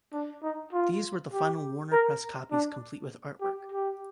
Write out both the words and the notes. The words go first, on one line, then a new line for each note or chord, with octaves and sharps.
These were the final Warner pressed copies complete with artwork.
D4
D#4
F4
G4
A#4
D4
G4
G4